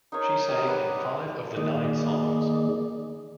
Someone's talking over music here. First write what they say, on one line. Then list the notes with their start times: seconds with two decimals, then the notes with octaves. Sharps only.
She sang in five of the nine songs.
0.12 D#4 G#4 A#4 C#5
0.48 G4 G#4
0.67 B4 D5 F#5
1.57 D#3 A#3 G#4 D5 D#5